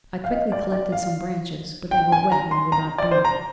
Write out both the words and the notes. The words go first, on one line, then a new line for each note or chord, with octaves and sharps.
I quickly collected some branches, but they were wet and would not burn.
F5
D#5
D5
D5
F5
G5
G#5
A#5
C6
A#5
D5
C5
A#5